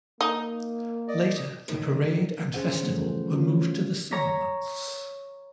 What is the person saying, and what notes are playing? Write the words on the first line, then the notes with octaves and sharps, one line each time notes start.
Later, the parade and festival were moved to the summer months.
A#3 D#4
D5 D#5
F#2 A2 D#3
C#4 G#4 C5 F#5
C#3 E3 F3 G3 A3 B3
C#4 F4 F#4
C#5 A#5 C#6 B6